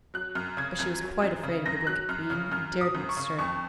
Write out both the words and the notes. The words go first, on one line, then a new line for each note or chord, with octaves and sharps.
But she was quite afraid of the wicked Queen, and dared not stir.
F#3 F#6
F#2 F6
C#3 G#6
F#2 G#6
F#3
F#2
C#3
F#2 A#6
F#3 F#6
F#2 F6
C#3 F6
F#2 F6
F#3
D#6
F#2
C#6
C#3
F2 C#6